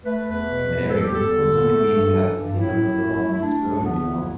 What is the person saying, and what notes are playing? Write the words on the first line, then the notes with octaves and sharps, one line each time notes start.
from that area 'cause with some people, you do have to feed them with a long spoon, you know?
A3 B4
E2 B4
B2
E2
G3 A4
G4
E2 A4
D3
E2
A3
G2
E3
G2
A2 E4
A2
A3
A3
E4
A3 D4
D2
D4
D3 B3
D2
E4